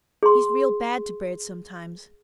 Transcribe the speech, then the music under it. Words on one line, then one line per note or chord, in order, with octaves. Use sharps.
He's real bad to birds sometimes.
G#4 C6